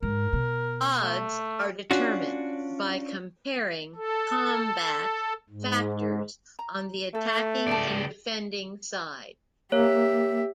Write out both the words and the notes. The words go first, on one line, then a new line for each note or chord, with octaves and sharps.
Odds are determined by comparing combat factors on the attacking and defending side.
G#2 A#4
B2
A3
C#4 D4 F4 F#4
A4
G#2
A#5
A3 A4
C#2 C#4 G4 D5 A5
A#3 G4 C#5 E5